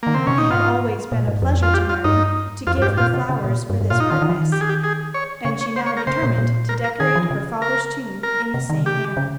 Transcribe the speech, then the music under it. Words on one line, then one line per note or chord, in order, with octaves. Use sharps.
It had always been a pleasure to Mary to give her flowers for this purpose, and she now determined to decorate her father's tomb in the same manner.
D#3 A#3
C#3 C4
C3 C#4
A#2 D#4
G#2 F4
A#2
G#2
F2
F4
G4
F4
G2 D#4
F2 F4
G2
G4
G#2
A#2 F4
C3
C#3
A#2
G2
G2
A#2 F4
D#4
D#3 F4
D#3
F3
D#3
G4
G#4
G4
G#4
C#5
C#3 C#5
C#5
C5
C#5
A#4
C#3 C5
A#2
A#2
A#4
A#4
D#3 G#4
F3
C#3
A#4
A#4
C3
D#3
C#3 G4
C3
C#3
C#3